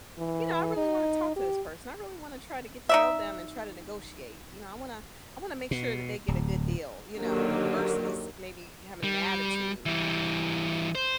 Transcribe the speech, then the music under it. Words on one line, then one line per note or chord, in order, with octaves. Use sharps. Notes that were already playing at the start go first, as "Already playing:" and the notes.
you know, I really wanna talk to this person. I really want to try to get to know them and try to negotiate." You know, I wanna I wanna make sure that they get a good deal, you know, versus, maybe having an attitude
E3
D#4
G4
D#4 D5 E5
B2
D1
D3 D#3 F#3 A#3 G4
G3
E3 G3
C5